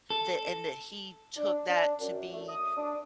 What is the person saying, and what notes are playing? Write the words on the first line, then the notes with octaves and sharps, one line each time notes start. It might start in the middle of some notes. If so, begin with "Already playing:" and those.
that and that he took that to be
A4
D4
D4
F#2
A3
D#6
D4